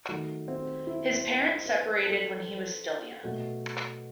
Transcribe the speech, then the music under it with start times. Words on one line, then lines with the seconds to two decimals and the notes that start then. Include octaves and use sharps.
His parents separated when he was still young.
0.09 D#3 F#3 A3
0.48 C4
0.87 E4
1.13 C5
1.40 D#5
1.66 B4
2.05 A4
3.24 B2 F#3 A3